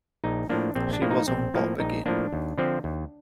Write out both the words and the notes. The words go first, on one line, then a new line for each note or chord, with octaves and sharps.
She was on top again.
A#1 D#4
A2 F3 A#3 D4
A#1 C4
D4
A2 F3 A#3
D#4
A#1 C4
A2 F3 A#3
A#1 D#4
A2 F3 A#3 D4
D#2
D3 F3 C4
D#2